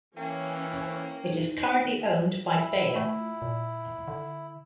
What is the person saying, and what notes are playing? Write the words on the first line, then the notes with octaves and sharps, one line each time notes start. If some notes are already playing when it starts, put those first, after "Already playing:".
It is currently owned by Bayer.
E3 A#3 C#4 G5
E4
A3
A#2
D3